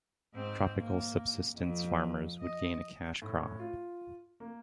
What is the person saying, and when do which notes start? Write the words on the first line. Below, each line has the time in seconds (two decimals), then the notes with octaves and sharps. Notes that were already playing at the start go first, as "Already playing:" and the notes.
Tropical subsistence farmers would gain a cash crop.
0.34 G#2 C4 C5
0.76 A#3
1.54 F2
2.40 D#5
3.22 A2
3.60 F4
4.40 A#3